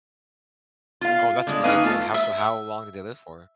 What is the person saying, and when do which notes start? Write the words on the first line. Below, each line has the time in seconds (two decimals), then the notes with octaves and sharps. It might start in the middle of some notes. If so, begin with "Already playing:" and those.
Oh, that's really good how so how long did they live for?
1.01 F4 F5
1.47 D3 G#3
1.64 A#3 C#4 D#4 B4 F5 G#5
1.84 A3 F4
2.14 E5